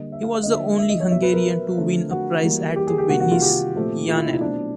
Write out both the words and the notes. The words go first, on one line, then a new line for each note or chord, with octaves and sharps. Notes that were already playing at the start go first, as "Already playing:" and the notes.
He was the only Hungarian to win a prize at the Venice Biennale.
Already playing: D3 G3 A#3 D#5
E5
F5
E5
D3 F3 A#3 D#5
E5
E5
D#5
C#5
B2 F#3 B3 E5
B4
A#4
D3 F3 A3 C4
F#4
E3 G3 A#3
G4
G#4
G4
C3 D#3 G3 A#3 F#4
F#4
F4
G4
A#2 F3 A3 C4
F4
E4
D#4
E4
B2 F#3 A3 C4 D4